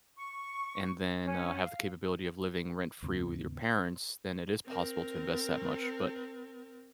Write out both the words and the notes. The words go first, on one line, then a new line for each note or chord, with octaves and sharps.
and then, uh, have the capability of living rent-free with your parents, then it is possible to invest that much, but
C#6
C#4
F5
D#2 G#2 C#3 B3
C4 A#4